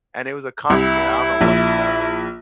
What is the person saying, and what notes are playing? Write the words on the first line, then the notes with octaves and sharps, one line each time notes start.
And it was a constant, I don't know what that was,
C2 E4
A#1